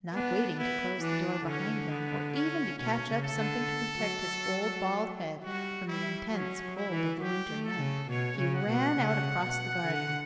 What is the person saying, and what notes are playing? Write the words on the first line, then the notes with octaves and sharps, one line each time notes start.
Not waiting to close the door behind him, or even to catch up something to protect his old bald head from the intense cold of the winter night, he ran out across the garden.
B3 D4
B3 E4
E3 D4
D3 C#4
B3
C#4
B2 C#4
C#3
A4
D3
F#3
F#3
G3 F#4
G3 E4
F#3 C#4
F#3
E4
E3
F#3 G4
A3
A4
C#3
B2 C#5
C#3
F#5
B2
C#3
B2
D3